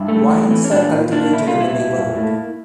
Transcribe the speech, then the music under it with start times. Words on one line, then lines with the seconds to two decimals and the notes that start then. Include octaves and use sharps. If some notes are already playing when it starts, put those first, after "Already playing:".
Vines are cultivated in the neighborhood.
Already playing: G2 E4
0.08 A3
0.30 E3
0.51 E3
0.64 C#4
0.71 A#2 D4
0.93 A#2
1.12 A#3 D4
1.33 A#2 E4
1.47 F4
1.54 G3
1.60 E4
1.75 A#2
1.96 A#3
2.16 A2